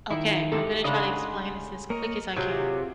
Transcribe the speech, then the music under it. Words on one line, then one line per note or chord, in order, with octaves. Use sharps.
Okay, I'm gonna try to explain this as quick as I can.
D#3 D#4 E4
G#2 C3 A4
C#3 G#3 D4 D#4 D#5 F#5
A#3 A#4 C#5 D#5
C3 F#3 F4 G#4